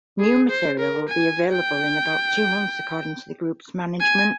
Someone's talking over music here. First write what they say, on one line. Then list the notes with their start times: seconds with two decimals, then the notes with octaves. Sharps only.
New material will be available in about two months according to the group's management.
0.20 G#4
0.50 C5
0.79 A#4
1.09 G#5
1.52 G5
4.00 G#5